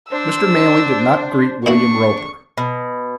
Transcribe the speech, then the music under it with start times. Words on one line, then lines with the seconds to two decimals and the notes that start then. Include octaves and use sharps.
Mr. Manley did not greet William Roper.
0.12 D4 C5 E6
1.66 A#2 D4 E4 F#4 C#6
2.57 B2